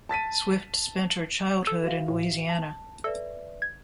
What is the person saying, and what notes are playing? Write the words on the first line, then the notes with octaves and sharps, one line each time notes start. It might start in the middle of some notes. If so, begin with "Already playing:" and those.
Swift spent her childhood in Louisiana.
A5 A6 B6 D#7
A4
F#4 E5 F5
A2
A5
A4 B4 D5 E5
G#6